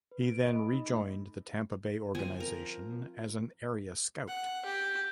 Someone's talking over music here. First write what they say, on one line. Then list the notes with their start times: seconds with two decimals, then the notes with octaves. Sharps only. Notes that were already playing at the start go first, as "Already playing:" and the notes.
He then rejoined the Tampa Bay organization as an area scout.
0.12 B4
0.26 D7
0.43 D#5
0.56 B5
0.73 D#4
0.90 A3
2.15 F3 C4 G#5
2.40 A#4
4.28 F#5
4.66 G4